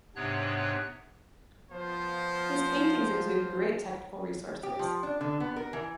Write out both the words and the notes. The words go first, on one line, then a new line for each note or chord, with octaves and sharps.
His paintings exude great technical resources.
G#2 C3 B3 D4 C#5 F#6
F3 B3 F4 C5
G4
F3
D4
D3
B3
A#4
E3